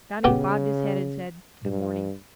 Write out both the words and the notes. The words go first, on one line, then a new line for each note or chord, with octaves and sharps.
Johnny bobbed his head and said, "Good morning."
C#3 B3 F#4 G4
G2